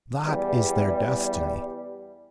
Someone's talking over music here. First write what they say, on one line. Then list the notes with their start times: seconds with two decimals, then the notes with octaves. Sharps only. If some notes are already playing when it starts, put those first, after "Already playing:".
That is their destiny.
0.25 E2 G3